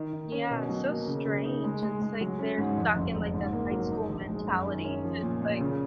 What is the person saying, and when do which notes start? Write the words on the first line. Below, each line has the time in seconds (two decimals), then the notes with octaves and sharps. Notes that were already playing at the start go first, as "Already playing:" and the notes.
Yeah, it's so strange. It's like they're stuck in, like, that high school mentality. It's like,
Already playing: D#3
0.13 D#3
0.32 C#4
0.51 B2
0.69 F#3
0.89 A#3
1.07 C#3
1.25 C#3
1.44 D#4
1.64 G#3
1.83 G#3
2.02 G#3
2.21 F#3
2.39 C#4
2.58 G#2
2.77 F2
2.96 F#1
3.15 F#1
3.34 G#2
3.53 A#3
3.71 F#3
3.91 D#4
4.10 A#1
4.29 G#3
4.47 F#2
4.67 D#3
4.85 C#4
5.04 F3
5.22 A#2
5.42 A#2
5.60 C#3